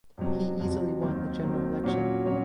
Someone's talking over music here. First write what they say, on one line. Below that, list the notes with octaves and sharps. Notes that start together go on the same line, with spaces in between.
He easily won the general election.
F2 C3 F#3
F2 C3 F#3
D#2 D#3 F#3 C4
D#2 D#3 F#3 C4
A#2 F#3 C#4 F#4 C#5
A#2 F#3 C#4 F#4 C#5